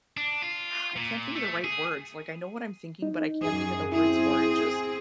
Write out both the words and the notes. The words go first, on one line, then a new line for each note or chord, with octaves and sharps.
Ah! I can't think of the right words, like, I know what I'm thinking, but I can't think of the words for it, just
D4
F4
A#2
A3
G#4
D#4
F#2 G#4
C4 E4 G#4